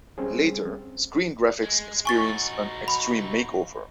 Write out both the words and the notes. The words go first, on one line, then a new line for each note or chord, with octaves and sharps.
Later, screen graphics experienced an extreme makeover.
G3 C4 C#4 G#4
G#3
D#4 F#4 G#5 C#6 A6
B5